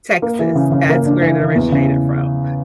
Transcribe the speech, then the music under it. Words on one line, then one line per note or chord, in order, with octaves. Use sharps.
Texas, that's where it originated from.
A#3
E3
C#3
C#3
A#3
D4
E3
E3
E2
C#3